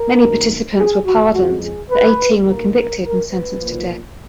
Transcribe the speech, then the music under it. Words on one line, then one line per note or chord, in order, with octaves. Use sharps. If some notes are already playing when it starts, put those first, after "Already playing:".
Many participants were pardoned, but eighteen were convicted and sentenced to death.
Already playing: A#4
F#2 D#3 A#3
G#4
F#4
F2 C#3 G#3 F#4
G#4
B4
B1 B2 A#3 A#4
A#4
A#4
B4
B1 A#2 F3 A#3